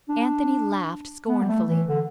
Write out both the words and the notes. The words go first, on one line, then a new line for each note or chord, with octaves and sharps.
Anthony laughed scornfully.
D4
B3
G3
A3
E3
D3